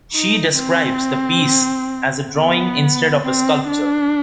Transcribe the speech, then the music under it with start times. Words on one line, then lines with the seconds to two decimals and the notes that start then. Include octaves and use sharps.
She describes the piece as a drawing instead of a sculpture.
0.15 D#4
0.59 C4
2.35 B3
3.22 C4
3.67 D4